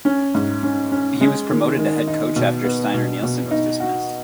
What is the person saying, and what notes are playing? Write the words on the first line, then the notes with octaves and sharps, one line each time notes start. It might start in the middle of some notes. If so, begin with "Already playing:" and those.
He was promoted to head coach after Steinar Nilsen was dismissed.
C#4
G#2
C#4
C#4
G#3
D#3
D#3
D#4
B2
B3
B2
B2
D#4
F#4